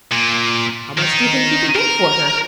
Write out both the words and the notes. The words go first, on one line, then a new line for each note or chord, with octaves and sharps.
"How much do you think you could get for her?"
A#2
D#3 D#4
A#4